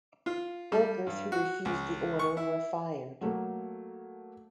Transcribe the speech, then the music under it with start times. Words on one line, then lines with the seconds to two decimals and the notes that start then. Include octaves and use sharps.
Workers who refused the order were fired.
0.26 F4
0.72 G3
1.07 G2
1.32 F#4
1.65 C#2
2.19 C#6
2.37 E4
3.21 F#3 A3 A#3